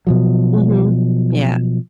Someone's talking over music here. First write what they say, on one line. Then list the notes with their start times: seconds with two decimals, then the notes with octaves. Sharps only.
Mhm. Yeah.
0.07 B2 F3 F#3